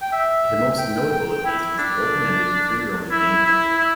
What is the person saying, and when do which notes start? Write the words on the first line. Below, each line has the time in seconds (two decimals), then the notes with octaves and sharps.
The most notable of these was the open-ended, free roaming gameplay.
0.02 G5
0.12 E5
0.79 G5
1.12 G5
1.46 E4
1.78 D4
3.11 E4
3.46 E4
3.79 E4